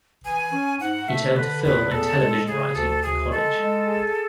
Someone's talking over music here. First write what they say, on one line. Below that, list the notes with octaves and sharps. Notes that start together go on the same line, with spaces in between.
He turned to film and television writing in college.
E3 G#5
C#4
G#2 F#5
A3 E5
D3 B4
E2 B4
E2 A4
G#3
C#3 G#4
D2 A4
D2 G#4
G#3 A4
G#3
G#4